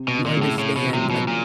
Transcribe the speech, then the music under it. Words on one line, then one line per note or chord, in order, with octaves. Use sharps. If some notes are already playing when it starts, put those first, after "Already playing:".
you understand, like,
Already playing: C3
B2
C3
A#2
A2 C#3
A2
B2
E3
C3 F#3
F3
B2
A#2